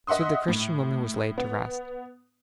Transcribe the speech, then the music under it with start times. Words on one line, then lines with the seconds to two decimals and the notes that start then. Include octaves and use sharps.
So the Christian woman was laid to rest.
0.07 D#5 E5 F#5 C6 D#6
0.48 A2
1.38 B3